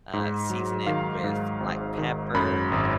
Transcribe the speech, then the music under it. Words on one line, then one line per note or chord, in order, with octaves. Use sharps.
Uh, season it with black pepper.
G#2
F#3
D#3 F5
G#2
G#1
D#3
F#2 B5
G#1